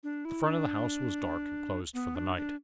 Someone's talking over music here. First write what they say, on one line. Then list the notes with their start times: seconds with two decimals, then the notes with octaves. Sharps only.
The front of the house was dark, and closed for the night.
0.03 D4
0.25 E4
0.46 D4
1.94 B3
2.16 D4
2.37 D4